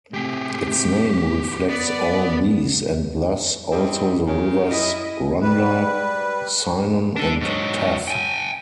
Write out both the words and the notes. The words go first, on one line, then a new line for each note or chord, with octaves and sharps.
Its name reflects all these, and thus also the rivers Rhondda, Cynon and Taff.
A2 C3 G4 G#4
B3 D5
E2 G3 C4 G4 D#5
A#2 C#3 G4 C#5 G#5
E4 D#5
G3 B4
D4 A4
G#2 F#3
G5 G#5